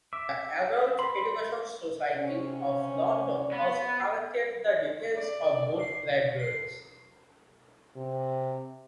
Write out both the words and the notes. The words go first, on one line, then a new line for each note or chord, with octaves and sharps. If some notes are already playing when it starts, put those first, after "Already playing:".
The Adult Education Society of London also collected the details of boat libraries.
E5 D6
B5 C6
C3 C#4
B3
D5
C3